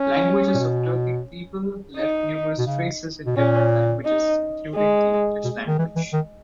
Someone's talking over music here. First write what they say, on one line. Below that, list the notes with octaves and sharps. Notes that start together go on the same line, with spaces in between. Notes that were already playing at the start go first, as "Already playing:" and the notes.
Languages of Turkic peoples left numerous traces in different languages, including the English language.
Already playing: C#4
A#2
B2
D#4
B2
C#3
B2
A#2 C#4
D#4
G#3
B2
D#3
E3
E3
D#3